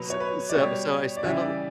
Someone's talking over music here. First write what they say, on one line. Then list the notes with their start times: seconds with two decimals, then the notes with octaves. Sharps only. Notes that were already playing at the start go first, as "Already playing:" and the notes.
s so so I spent a li
Already playing: B2 F#3 B4
0.10 C#5
0.20 B4
0.49 D5
0.55 B2 G3 C#5
1.17 D5
1.23 C#3 E3 G3 E5
1.40 D5